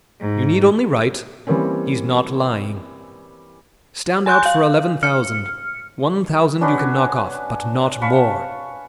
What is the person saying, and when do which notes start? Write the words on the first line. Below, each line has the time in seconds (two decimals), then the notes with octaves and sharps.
You need only write: 'He's not lying.' Stand out for eleven thousand; one thousand you can knock off, but not more.
0.20 G#2
1.47 E3 G3 A#3 C4 C#4
4.26 G#5 C6 F#6 G6
4.46 F5
5.03 F6 C#7
6.61 C#4 D4 F#4 B4
8.01 F5 A5 B5 C#6